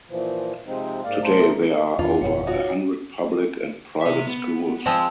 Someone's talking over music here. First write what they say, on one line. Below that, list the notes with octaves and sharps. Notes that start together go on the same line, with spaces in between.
Today there are over a hundred public and private schools.
A#2 E3 F3
C3 F3 G#3 C4 D#4
G#2 A#3 D5 F5
C3 A3 C5 A5 A#5
E2 D#3 D4 F4 A5
G1 F2 B2 C#5
D#4 F4 F#4
C3 E5
B3
F3 G#3 C4